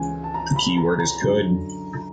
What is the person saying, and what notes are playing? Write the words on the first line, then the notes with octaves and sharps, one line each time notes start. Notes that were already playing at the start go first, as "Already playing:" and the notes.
The key word is 'could'.
Already playing: C#2 C#3 E3 G#5
A5
A#5
B5
A#5
A#5
F#2 D3